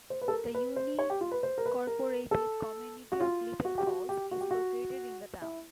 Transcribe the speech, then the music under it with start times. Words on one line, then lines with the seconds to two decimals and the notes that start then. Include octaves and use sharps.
The unincorporated community of Little Falls is located in the town.
0.10 C5
0.21 B4
0.28 A4
0.33 A#4
0.44 A#4
0.55 B4
0.76 C5
0.99 C#5
1.10 G4
1.21 F4
1.32 B4
1.43 C5
1.58 A#4
1.66 B4
1.87 A#4
2.31 A4
3.12 F#4
3.20 F4
3.65 F#4
3.78 G4
3.87 F#4
4.09 G4
4.31 F#4
4.41 G4
4.51 F#4
5.42 E4